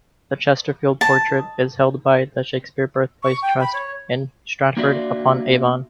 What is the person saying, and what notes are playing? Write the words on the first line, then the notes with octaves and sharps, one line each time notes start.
The Chesterfield portrait is held by the Shakespeare Birthplace Trust in Stratford-upon-Avon.
A5
C#6
G5
B5
C#5
A#3 D4 F4 F#4 D5 E5